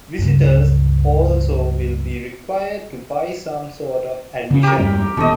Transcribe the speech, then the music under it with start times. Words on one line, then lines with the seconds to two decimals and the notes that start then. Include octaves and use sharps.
Visitors also will be required to buy some sort of admission.
0.18 C#2 G2
4.51 C#3 C#4
4.63 G4 A#4
4.78 E2 G2
5.17 D#1 D#2 B2 A3 D#5